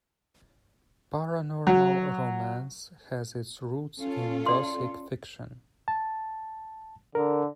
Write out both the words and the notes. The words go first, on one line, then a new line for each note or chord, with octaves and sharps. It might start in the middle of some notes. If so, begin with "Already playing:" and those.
Paranormal romance has its roots in Gothic fiction.
F#3
C#4 F4 A4
D5 C6
A5
D3 A#4